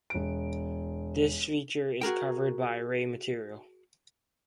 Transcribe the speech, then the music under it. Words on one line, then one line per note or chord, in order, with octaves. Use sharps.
This feature is covered by ray material.
E1 D7
F#4 G#4 A#4 G5